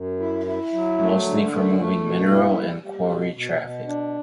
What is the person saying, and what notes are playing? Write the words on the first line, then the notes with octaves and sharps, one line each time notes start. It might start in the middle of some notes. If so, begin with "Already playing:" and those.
Mostly for moving mineral and quarry traffic.
Already playing: F#2
E4
E4
F#3
A3
D3
A3
A3
B2
E4
G3
G3
B2
B2
B2
D4